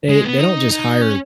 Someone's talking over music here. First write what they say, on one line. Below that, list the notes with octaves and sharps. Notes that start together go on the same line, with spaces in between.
they they don't just hire
G#3
B3
D#4
D#4
C#4